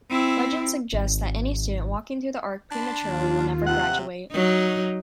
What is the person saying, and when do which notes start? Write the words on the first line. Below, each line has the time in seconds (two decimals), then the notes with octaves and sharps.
Legend suggests that any student walking through the arch prematurely will never graduate.
0.10 C4 E4
0.93 G#1
2.71 D4 A5 B5 C6
3.01 D#2 F4
3.67 C3 F#5
4.31 F#3 D#4